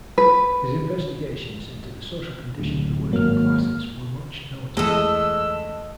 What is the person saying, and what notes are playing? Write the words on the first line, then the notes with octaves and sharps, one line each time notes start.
His investigations into the social condition of the working classes were much noted.
B4
D1 D3
G#1 D#2 F#3 A#3 F6
E2 E3 G#3 A3 A4 D#5 E6